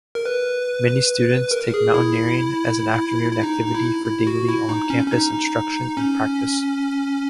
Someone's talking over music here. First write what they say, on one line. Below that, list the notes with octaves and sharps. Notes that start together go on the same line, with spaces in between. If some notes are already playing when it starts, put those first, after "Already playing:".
Many students take mountaineering as an afternoon activity for daily on-campus instruction and practice.
A#4
B4
A#4
G#4
E4
E4
D#4
D#4
E4
E4
F#4
E4
D#4
C#4
C#4
D#4
D#4
C#4